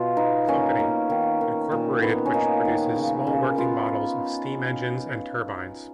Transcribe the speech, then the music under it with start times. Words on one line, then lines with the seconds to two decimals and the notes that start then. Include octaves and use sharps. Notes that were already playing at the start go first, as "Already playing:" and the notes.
Company, Incorporated which produces small working models of steam engines and turbines.
Already playing: B2 F4
0.17 B3 D#4
0.47 A#3 C#4
0.79 A#3
1.10 D#3
1.41 D#3
1.72 A#2
2.03 B3
2.26 C#4
2.34 A#3 D#4
2.65 D#3
2.96 C#3
3.27 C#3
3.58 B3 F4